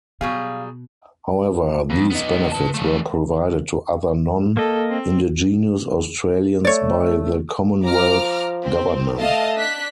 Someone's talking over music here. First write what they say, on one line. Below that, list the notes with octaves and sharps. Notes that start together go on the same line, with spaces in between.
However, these benefits were provided to other non-Indigenous Australians by the Commonwealth Government.
B2 F#3 G3 G#4 F5
F2
B3 D#4
B4 A5
F3 A3
A#3 A4 D#5
C4
A3 C#5 D5
F3 A#5 D6 F6
C4
A3 D#5 F5 A5
D4 F#6 B6